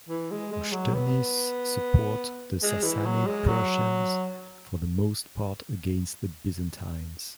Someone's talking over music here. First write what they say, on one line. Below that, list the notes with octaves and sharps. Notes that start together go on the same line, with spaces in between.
Rshtunis support the Sassanid Persians for the most part against the Byzantines.
E3
G#3
G#3
F#3
B3
G#3
E3
F#3
G#3
F#3